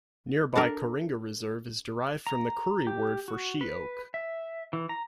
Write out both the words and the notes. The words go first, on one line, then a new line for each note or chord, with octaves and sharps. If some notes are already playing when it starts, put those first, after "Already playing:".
Nearby Kooringa Reserve is derived from the Koori word for sheoak.
D4 A4 A#4
A#5
G4
F#4
B4
E5
E3
A#5